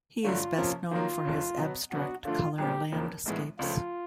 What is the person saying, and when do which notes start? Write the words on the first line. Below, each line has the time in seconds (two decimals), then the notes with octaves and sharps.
He is best known for his abstract colour landscapes.
0.24 G2 D3 F#3 A3 F4
0.58 C3 F3 A#3 C#4
0.91 D#3 F#3 A#3 F4
1.25 F1 E2 C#3
1.58 B2 F#3 B3
1.92 B2 F#3 B3 D4 F#4
2.25 D3 F3 A3 D4 F4
2.58 B1 A#2 G3 C4 G4
2.92 E1 D#2 C#3 F3 A#3
3.26 A#1 A2 E3 G#3 B3
3.59 C#2 C#3 F3 A3 F4